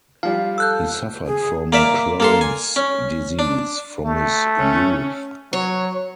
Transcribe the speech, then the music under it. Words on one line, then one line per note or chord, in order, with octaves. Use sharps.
He suffered from Crohn's disease from his youth.
F3 G3 F5
A4 E6 F#6 G6
G#4
A#3 D5 E5
A#3 A4 C6
G#5
C#4
D4
A3
C#4
F#3 C#5